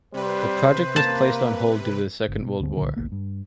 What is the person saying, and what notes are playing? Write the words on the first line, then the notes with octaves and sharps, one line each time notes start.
The project was placed on hold due to the Second World War.
C3 G3 B4 C5
A#3 A5
G1
B2
D2 D3 G3 C4
C2 A#2 D3
D1 G#1 A#3
G2